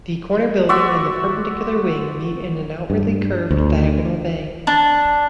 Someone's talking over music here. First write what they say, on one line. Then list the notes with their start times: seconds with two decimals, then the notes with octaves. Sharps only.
The corner building and the perpendicular wing meet in an outwardly curved diagonal bay.
0.69 F#4 D5 E5 C6
2.90 G2
3.51 D2
4.67 D4